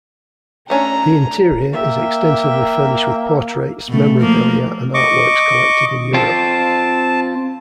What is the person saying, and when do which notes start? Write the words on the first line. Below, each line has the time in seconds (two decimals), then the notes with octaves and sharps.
The interior is extensively furnished with portraits, memorabilia, and art works collected in Europe.
0.70 A3 C#4 D4 A#5
1.73 A#3 E5 G5
3.89 B2 A3
4.18 F3 A#3
4.94 D#5 C#6 D6
6.14 C4 F4 A5